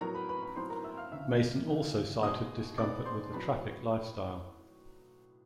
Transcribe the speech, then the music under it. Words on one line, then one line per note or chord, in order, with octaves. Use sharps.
Mason also cited discomfort with the Traffic lifestyle.
A2 F#3 B3 A#4 A#5
B4 B5
B4 B5
B4 B5
A2 F#3 B3 C5 C6
A#4 A#5
E5 E6
F5 F6
D2 C#3 E3 E5 E6
D2 C#3 E3
B2 G#3 B3 D#5 D#6
B2 G#3 B3 D5 D6
C5 C6
A2 F#3 B3 B4 B5